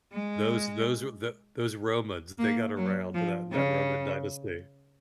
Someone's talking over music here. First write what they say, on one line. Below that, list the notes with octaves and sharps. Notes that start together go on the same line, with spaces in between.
Those those were the those Romans, they got around, that that Roman dynasty.
G#3
A#3
F#3
F3
C#3